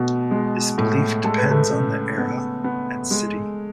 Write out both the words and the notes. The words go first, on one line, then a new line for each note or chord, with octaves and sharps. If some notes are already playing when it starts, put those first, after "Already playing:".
This belief depends on the era and city.
Already playing: B2 A3 B3
G#3
A2
G#3 A4
B4
A3 A4
C#3
B3
B3
G#3